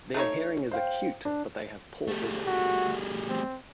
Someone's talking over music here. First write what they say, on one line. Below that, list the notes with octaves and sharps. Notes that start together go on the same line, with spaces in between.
Their hearing is acute but they have poor vision.
A3 D#4 C#5
C5 F5 G5
D4
G3 A3
F#4
C4